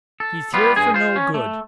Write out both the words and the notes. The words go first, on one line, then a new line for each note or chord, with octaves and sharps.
He's here for no good.
A4
G3 B3 F4
G2 G#4 G#5
F4 C5
C#4
A3